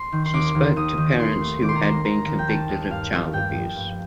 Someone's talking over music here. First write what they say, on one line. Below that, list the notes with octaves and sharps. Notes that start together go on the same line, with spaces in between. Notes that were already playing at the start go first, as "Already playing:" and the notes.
She spoke to parents who had been convicted of child abuse.
Already playing: C6
D#3
C6
D#2 D6
D#2
D#2 D#6
D#3
D#3 C6
A3
D#3 D6
C6
A#5
D#2 C6
D#2 A#5
D#2
G5
D#3 A5
D#2
G2 F5
A3
G2 G5
F3
G2